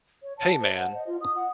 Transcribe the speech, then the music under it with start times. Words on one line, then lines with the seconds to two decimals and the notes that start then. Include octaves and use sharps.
Hey man!
0.23 C#5
0.38 A5
0.61 C5
0.75 F#5
0.95 D#5
1.07 F4
1.21 D#6
1.36 F#5